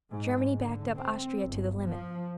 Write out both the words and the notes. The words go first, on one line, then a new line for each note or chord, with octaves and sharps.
Germany backed up Austria to the limit.
G#2
D3
C4
G1
F3